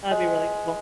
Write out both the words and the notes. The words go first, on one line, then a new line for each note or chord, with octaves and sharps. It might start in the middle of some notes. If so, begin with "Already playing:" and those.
That'd be really cool.
G#3